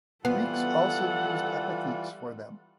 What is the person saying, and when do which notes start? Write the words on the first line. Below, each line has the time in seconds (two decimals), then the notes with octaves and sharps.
Greeks also used epithets for them.
0.25 E3 G3 B3 F4 A4 F#5